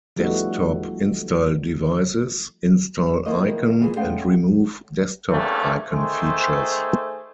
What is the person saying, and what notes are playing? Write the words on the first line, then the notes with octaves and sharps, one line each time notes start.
Desktop 'Install devices', 'Install icon' and 'Remove desktop icon' features.
F3 G3 A3 B3 D#4 F#4
D#3 F3 A#3 E4 B4 D#5
A#2 E3 G#4
G#3 A3 B3 C#4 F5 G5
E2 G2 C3 A3 A#3 C#4
D#3 A3 G#4 C5